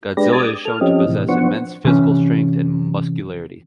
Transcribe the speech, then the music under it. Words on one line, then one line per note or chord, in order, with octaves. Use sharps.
Godzilla is shown to possess immense physical strength and muscularity.
G#3 D4 G4 B4 D5 A#6
D6 D#6 G#6 A6
A4 F6
F3 C4 C#4 G4 D#5
A2 C3 E3
F3 B3 D4 C5 F#5 C#6
C3 E3 C#4